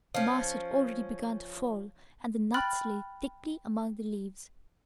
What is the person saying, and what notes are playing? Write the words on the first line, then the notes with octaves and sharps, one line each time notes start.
The mast had already begun to fall and the nuts lay thickly among the leaves.
F3 C#4
G5 B5 F6 F#6 A6 F#7